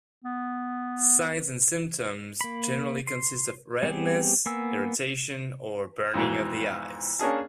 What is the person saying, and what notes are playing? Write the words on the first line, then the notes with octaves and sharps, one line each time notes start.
Signs and symptoms generally consist of redness, irritation or burning of the eyes.
B3
A#3 B5
C6
G3 B3 C4 G4 G#4
A#3 B3 G#5 E6
F2 G#2 B2 E3
A#3 C#4 D4 G#4 A5